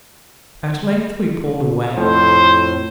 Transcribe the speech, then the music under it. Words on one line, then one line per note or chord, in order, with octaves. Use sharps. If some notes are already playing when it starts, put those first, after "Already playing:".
At length we pulled away.
F2 A2 F3 C5